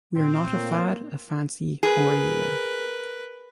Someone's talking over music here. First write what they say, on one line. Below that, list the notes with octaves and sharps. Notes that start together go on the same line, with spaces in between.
We're not a fad, a fancy, or a year.
A#2 C4
A3 A#3 F4 C#5
G#4 A#4 B4